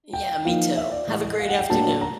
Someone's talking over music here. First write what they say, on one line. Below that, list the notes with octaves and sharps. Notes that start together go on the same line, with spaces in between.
Yeah, me too. Have a great afternoon.
G5
F3 A#3 D#4 F5
E5
D5
A2 E3 G#3 D#5
D#5
F5
F#5
G5
A2 F#3 A#3 D4 A5
A#5